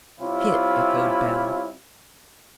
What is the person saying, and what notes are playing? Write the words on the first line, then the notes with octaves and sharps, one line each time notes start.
"Hit!" echoed Bell.
C3 G3 C4 C#4 E4 F4